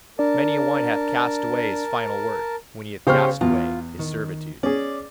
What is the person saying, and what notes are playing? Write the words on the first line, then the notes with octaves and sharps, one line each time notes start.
Many a one hath cast away his final worth when he hath cast away his servitude.
D4 A#4 D5 A5
C#3 G4 C5 C#5 F6
E2 F4
D#3
C#4 G#4 D5